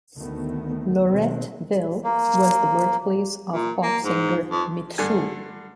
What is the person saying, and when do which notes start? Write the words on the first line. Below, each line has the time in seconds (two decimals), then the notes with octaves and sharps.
Loretteville was the birthplace of pop singer Mitsou.
0.17 D2 D#3 A3 B3
1.09 B2 D#3 G#3 C4
2.04 A#3
3.52 A#2
3.83 A#3
4.04 G#2
4.51 F2
4.98 G2 D3 G#5